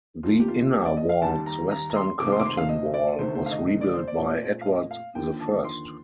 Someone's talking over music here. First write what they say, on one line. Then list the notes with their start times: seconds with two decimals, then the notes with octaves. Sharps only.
The inner ward's western curtain wall was rebuilt by Edward the First.
0.23 F2 D#3 A#3 F4
0.40 G4
0.48 F4
0.73 G4
0.85 D5
0.97 D#5
1.09 F5
1.22 D#2 D#3 G3 A5
1.46 A#5
1.71 A#5
1.90 A#5
1.96 C6
2.20 F2 C3 D#3 A3 C4 D6
2.32 C6
2.40 D6
2.45 C6
2.57 F5
2.69 D#5
2.94 D5
3.19 D2 C3 D#3 A3 C4 C5
3.35 C5
3.46 F5
3.51 D#5
3.67 D#5
3.81 D5
3.94 C5
4.08 D5
4.17 A#2 A3 C4
4.61 F5
4.66 D#5
4.91 F5
5.15 D#2 D3 F3 A#3 G5
5.40 A5
5.64 C6